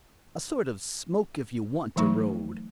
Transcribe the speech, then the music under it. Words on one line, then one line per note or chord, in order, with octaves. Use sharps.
A sort of 'smoke-if-you-want-to' road.
E3 F#3 A3 D#4 C#6